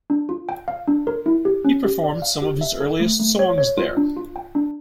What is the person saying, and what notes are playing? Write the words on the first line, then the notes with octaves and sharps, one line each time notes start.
He performed some of his earliest songs there.
D4
F4
G5
F5
D4
A#4
E4
G4
C#4
G4
D5
F5
G4
E5
A4
A3
A3
C#5
C#5
F4
D4
F4
G5
D4